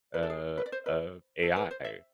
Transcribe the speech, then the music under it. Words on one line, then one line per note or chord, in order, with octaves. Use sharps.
uh, of AI.
B4
A4
G#4
B4
D5
C5
B4
A4
B4
C5
E5